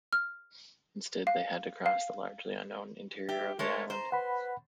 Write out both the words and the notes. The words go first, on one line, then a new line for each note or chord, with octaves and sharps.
Instead they had to cross the largely unknown interior of the island.
F6
F5
F5
G4 E5
G#3 A3 A#4 C#5
C5 A#5
B4 F#5 B5